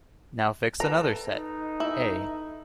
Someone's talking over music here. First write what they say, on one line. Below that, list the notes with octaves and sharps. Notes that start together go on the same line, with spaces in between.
Now fix another set, "A".
A4 B4 A5 A#5
D#4
E4